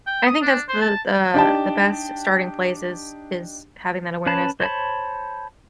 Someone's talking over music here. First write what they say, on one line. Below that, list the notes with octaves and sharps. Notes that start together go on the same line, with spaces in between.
I think that's the the the best starting place is is having that awareness that,
G5
D#6
D4
C5
A5
D4 D#4 G4 G5 A5
C#4 B4 C#5 A5 B5
C5 C#5 A5 B5